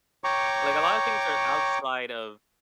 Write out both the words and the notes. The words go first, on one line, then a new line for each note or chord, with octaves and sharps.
Like a lotta things are outside of,
C#5 G5 A#5 C#6 D6